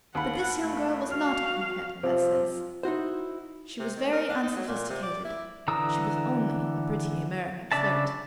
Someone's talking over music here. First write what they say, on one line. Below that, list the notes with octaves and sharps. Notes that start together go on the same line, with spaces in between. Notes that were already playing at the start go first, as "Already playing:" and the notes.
But this young girl was not a coquette in that sense; she was very unsophisticated; she was only a pretty American flirt.
D#2 F#5 B5
A3
F#4 F5 F6
C3 F3 F4
D#4 E4 F#4 C5
C3
D#3
A#4
D4
D#4
F#3
A#2
C3
D5
E4
D3 E3 A#5 D#6 E6
C#3 D4 D5 E5 A5